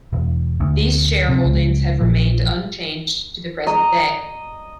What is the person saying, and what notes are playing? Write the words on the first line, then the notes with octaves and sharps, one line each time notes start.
These shareholdings have remained unchanged to the present day.
E1
D2
C3
C#2
A#1
D#5 A#5